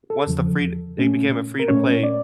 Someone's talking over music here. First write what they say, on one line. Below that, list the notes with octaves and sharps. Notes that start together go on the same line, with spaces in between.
once the free it became a free-to-play
A4
E2 C#3 F3
A#2 A3 C#4
A#4
A#2 A3 C#4 C#5
D5